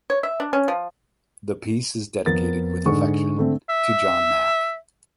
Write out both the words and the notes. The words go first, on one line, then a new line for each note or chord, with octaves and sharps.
The piece is dedicated "with affection" to John Mack.
C#5
E5
D4
C#4
F3
F2 F3 B3 A#4 A6
G#2 D3 G#3 C#6
D3 A3 C4
E5